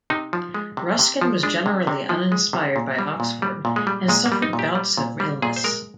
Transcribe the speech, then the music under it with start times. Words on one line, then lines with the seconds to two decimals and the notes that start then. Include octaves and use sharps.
Ruskin was generally uninspired by Oxford and suffered bouts of illness.
0.10 C3 D#4
0.33 F3
0.54 G#3
0.77 C3
0.99 C3
1.21 F3
1.43 G#3 D4
1.66 C3
1.87 C3
2.09 F3
2.32 G#3
2.53 C3
2.76 A#2
2.99 G3
3.20 A#2
3.42 G3
3.65 A#2
3.76 G#3
3.87 G3
4.08 A#2 G#3
4.26 A#3
4.32 G3
4.42 D#4
4.53 A#2
4.59 G4
4.75 G3
4.97 A#2
5.20 G3
5.42 A#2 G#4
5.56 C5
5.64 G#3 A#4